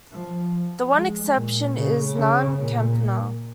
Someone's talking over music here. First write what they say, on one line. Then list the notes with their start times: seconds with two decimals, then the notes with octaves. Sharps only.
The one exception is Nan Kempner.
0.12 F3
0.53 F3
0.94 G#3
1.35 A#2
1.75 C#3
2.16 C#3
2.57 A#2